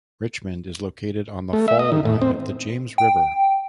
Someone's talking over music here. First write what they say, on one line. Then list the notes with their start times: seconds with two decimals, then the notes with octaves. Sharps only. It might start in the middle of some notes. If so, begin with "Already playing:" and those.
Richmond is located on the fall line of the James River.
1.53 A3
1.68 E5
1.79 D#5
1.92 D#3
2.05 A2
2.22 C4
2.98 G5